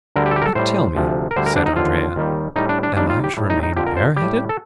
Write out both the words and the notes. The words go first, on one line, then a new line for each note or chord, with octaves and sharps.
"But, tell me," said Andrea, "am I to remain bareheaded?"
D2 D3 G3 A#4
G4
A4
G4
A#4
A4
A2 G3 C5
D2 C3 F3
A#4
D2 D3 G3 C5
A#4
D4
D#4
D#2 D3 F3 F4
D#2 D#3 G3
A2 G3 D#4
D4
D4
D#2 D#3 G3 D4
F4
G4
A2 G3
D#4
D#4
F2 D3 F3 G4
A#4
C5
A2 G3 G4
A4